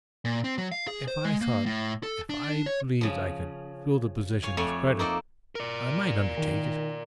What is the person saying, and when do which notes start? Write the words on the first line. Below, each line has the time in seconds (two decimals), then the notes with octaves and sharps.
"If I thought--if I believed I could fill the position with credit--I might undertake it."
0.25 A#2
0.44 C4
0.58 F#3
0.72 F5
0.87 G#4
1.08 C5
1.25 G#3
1.41 A#3
1.66 A2
2.03 A4
2.29 D4
2.66 C#5
3.01 C#3 F3
4.43 C#5 F5 G#5
4.57 F2 A3 C#5 D5 G#5
4.99 A#3 D#4 A4 C5 D5
5.55 A#4 D5
6.37 D#3